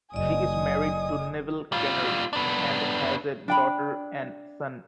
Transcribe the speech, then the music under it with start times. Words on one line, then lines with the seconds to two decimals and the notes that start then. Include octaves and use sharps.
She is married to Neville Kennard and has a daughter and son.
0.14 F#1 D5 D#5 G#5 D#6
1.72 G3 F4
2.33 B3 D4
3.48 D4 G5 B5